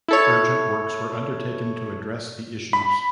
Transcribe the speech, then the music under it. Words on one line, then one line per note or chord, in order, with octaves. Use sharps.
Urgent works were undertaken to address the issues.
E4 A4 C#5
B5